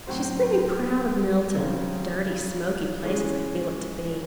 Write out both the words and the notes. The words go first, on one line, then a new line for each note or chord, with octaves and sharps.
She is very proud of Milton; dirty, smoky place, as I feel it to be.
A2 F#3 C4 F#4 C5
C#3 F#3 C4
E3 G#3 C#4 G#4